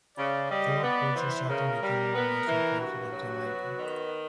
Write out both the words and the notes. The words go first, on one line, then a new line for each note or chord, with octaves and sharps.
Thorpe also sat on the General Nursing Council of Jamaica.
C#3 D5
G3 D#5
B3 D5
E3 C5
C#3 A#4
G3
B3
E3
G2 F#4
F#3
B3
D#3